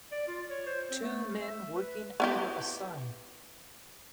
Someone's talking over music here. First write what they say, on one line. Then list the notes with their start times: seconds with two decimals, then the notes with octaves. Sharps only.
Two men working under a sign.
0.12 D5
0.28 F4
0.50 C#5
0.67 C5
0.90 C4
1.02 A3
1.42 E5
1.75 B4
2.20 B3 E4 G4